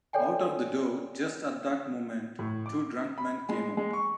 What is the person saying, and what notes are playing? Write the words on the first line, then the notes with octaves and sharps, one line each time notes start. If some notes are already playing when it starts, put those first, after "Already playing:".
Out of the door, just at that moment, two drunk men came out.
A4 C#5 D5 G5 G#5
A2
D6
B5
G#3
G#3
C#6